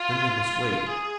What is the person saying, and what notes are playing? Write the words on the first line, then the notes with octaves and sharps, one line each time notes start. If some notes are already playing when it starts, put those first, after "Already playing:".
Then they must wait.
Already playing: F4
G#4